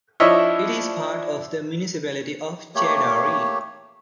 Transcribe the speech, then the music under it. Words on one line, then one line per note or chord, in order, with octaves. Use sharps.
It is part of the municipality of Chaidari.
F3 D4 E4 C#5 D#5 E5
A3 A#3 G4 C#5